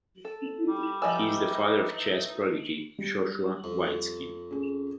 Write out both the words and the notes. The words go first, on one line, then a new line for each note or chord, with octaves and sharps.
He is the father of chess prodigy Joshua Waitzkin.
A4
G3
E3 F3 A3 D#4 D5 D#5 G#5 E6
G3
F2
C#4 G#4